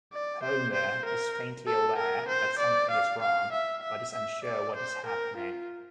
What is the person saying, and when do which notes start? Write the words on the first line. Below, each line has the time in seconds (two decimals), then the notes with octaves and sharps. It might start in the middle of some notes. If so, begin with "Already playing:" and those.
Homer is faintly aware that something is wrong, but is unsure what is happening.
0.13 D5
0.43 C5
0.74 C5
1.05 A#4
1.67 A4
1.98 A#4
2.28 C5
2.59 D5
2.91 F5
3.22 F5
3.52 E5
3.83 E5
4.13 E5
4.44 D5
4.75 C5
5.06 A#4
5.37 F4